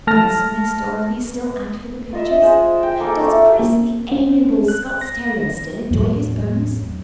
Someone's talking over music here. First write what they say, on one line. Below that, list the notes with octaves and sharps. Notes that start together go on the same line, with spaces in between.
Does Miss Dorothy still act for the pictures? Does Chris, the amiable Scots terrier, still enjoy his bones?
A3 A5 F6 A#6
F4 D#5 E5
G#3 C5
G5
G#3 A#3 A4 A#4
A3
A#3
C#4
F#6
A#6
E2 A2 F#3 A3